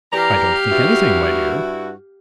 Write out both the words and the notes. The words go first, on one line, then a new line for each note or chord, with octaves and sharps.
"I don't think anything, my dear."
E3 G4 D5 F5 A#5
G2 E4 F#4